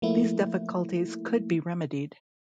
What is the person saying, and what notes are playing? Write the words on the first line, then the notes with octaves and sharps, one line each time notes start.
These difficulties could be remedied.
F3 A3 A#3 E4